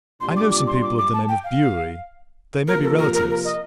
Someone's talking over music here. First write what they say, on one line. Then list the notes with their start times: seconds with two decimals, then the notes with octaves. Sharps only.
"I know some people of the name of Bewery--they may be relatives."
0.21 C2 A#2 G3 D4 F4 C6
0.37 D6
0.52 D6
0.67 C6
0.82 D6
0.98 D6
1.13 A5
1.29 G5
1.44 F5
2.68 C3 F3 A#3 F4 A#4
2.83 A4
2.99 A#4
3.14 A#4
3.30 A#4
3.45 D#5